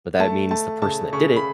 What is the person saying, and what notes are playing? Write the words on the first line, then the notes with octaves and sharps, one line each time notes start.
but that means the person that did it
A3 A5
A3 A5
C#3 A5
C#3 C#6
B5